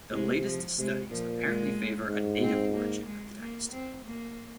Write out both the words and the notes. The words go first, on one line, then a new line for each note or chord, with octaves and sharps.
The latest studies apparently favour a native origin of the dynasty.
C3 G#3
F3
C3 G#3
A#2 F3
G#3
G#2
C4
A#3
G#3
A#3
C4
A#3